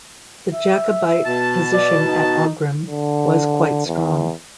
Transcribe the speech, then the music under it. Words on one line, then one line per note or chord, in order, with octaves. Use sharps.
The Jacobite position at Aughrim was quite strong.
E5
B2 A5
D5
D#4
D3
E2